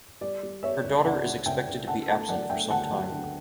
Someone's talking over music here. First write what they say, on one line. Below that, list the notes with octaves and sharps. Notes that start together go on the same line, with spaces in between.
Her daughter is expected to be absent for some time.
G3 D5
G3
G3 C#5 E5
C#2
C#2 D5 F#5
C#3
C#2 E5 G5
C#2
D3 F#5 A5
A3 F#5 A5
F#3 D5 F#5
A3 E5 G5
D2 F#5 A5
F#3
D2